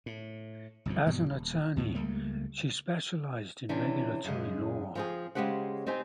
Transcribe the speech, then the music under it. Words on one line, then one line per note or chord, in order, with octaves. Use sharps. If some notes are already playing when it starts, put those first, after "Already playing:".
As an attorney, she specialized in regulatory law.
A2
G1 C2 F#2 F3
G2 B2 E3 G3
D#1
D#2 A2 C3
C#2 G3 A3 A#3
C3 E3 C#4 D4
F#2 C#3 G#3
F3 C4 G#4
C#3 F3 G#3 G4 C5 F#5
C4 D#4 G4 C5 G#5